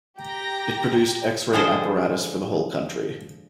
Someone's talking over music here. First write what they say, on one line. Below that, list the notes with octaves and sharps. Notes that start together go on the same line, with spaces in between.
It produced x-ray apparatus for the whole country.
G4 G5 A#5 A#6
D3 F3 G#3 G#4 A4 C5